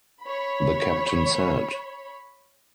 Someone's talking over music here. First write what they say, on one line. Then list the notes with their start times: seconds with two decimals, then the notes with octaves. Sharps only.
The Captain said.
0.23 C#5 B5